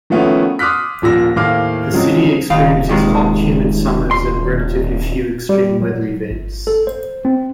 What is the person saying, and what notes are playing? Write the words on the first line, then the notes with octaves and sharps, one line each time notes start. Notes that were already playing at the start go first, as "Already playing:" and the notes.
The city experiences hot, humid summers and relatively few extreme weather events.
D#3 F3 A3 B3 C#4 E4
C6 D6 D#6 F6 F#6 B6
D#1 A#2 F3 E6 A#6
D#2 A2 C5 F5 D6 F6
C#3 F3 F#3 G#3 C4
D#1 D#3 F5
C3 D#3 G#3
C6
G3
F#3
G1
A4
C5
C4